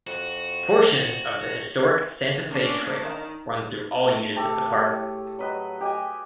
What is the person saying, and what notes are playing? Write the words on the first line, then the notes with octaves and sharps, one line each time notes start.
Portions of the historic Santa Fe Trail run through all units of the park.
F2 F#4
A#3 C#4 D4
D#3
A3
A3 G4 A4
A2
F#3 B4 D#5
G4 D#5 G#5